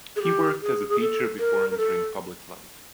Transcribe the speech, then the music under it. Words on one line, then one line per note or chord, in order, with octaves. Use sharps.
He worked as a teacher before entering public life.
G#4
G4
G#4
G#4
A4
A#4
A#4
A4